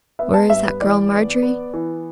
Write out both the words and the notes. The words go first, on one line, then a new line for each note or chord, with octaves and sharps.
Where is that girl Margery?'
B3 E5
A5
G2 E5
B4
E3 D5
B3
B3
E3